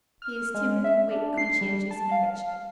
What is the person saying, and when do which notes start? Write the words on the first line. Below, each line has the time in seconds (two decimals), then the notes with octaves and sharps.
He is timid, weak, conscientious, and wretched.
0.22 F6
0.54 G#3
0.84 E5
1.11 D4
1.38 C7
1.61 G3
1.91 A5
2.11 F5